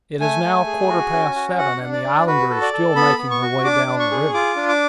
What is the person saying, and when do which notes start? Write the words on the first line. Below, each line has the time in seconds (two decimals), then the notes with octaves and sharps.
It is now quarter-past seven, and the Islander is still making her way down the river.
0.20 A3 G#5
0.44 A3
0.66 G#4
0.89 F#4
1.13 C#4
1.35 F#4
1.58 F#4 F#5
1.81 D4
1.93 D5
2.04 D4
2.26 F#4 B4
2.50 A4
2.62 D5
2.73 A4
2.96 B3 B5
3.18 B3
3.31 C#6
3.42 F#4
3.64 D4 D6
3.87 D4
4.00 C#6
4.11 G#4
4.34 F4 D6
4.56 D4
4.69 D6